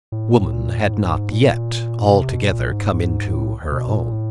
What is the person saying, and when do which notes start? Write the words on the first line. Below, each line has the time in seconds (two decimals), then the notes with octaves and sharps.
Woman had not yet altogether come into her own.
0.12 A2
0.53 A#2
0.81 A2
0.93 G#2
1.32 A#2
2.12 C3
2.32 B2
2.52 A#2
2.72 G#2
2.92 G#2
3.32 A2
3.72 B2
3.92 A#2
4.12 A2